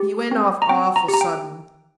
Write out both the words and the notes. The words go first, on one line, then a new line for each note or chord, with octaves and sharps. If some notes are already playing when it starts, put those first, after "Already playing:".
He went off awful sudden.
Already playing: G4
C4
A#5
C4 G5
A#5
G4
A#5
G5